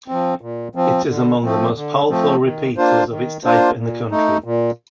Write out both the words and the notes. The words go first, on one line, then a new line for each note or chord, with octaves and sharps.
It is among the most powerful repeaters of its type in the country.
F3 C4
A#2
F3 C4
D3
F3 A3 C4
D3
F3 A3 C4
D#3
A#3 D4 F4 C5
D#3
A#3 D4 F4 C5
A#2
A3 D#4
A#2